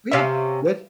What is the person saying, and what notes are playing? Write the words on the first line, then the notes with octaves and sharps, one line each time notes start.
Oh yeah. Good.
C3 C#4 E5 F5